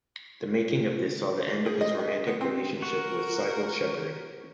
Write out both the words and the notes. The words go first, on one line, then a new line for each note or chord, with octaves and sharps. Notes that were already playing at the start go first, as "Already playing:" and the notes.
The making of this saw the end of his romantic relationship with Cybill Shepherd.
G#4
D#5
G#4
B3
C4
F#4 A#4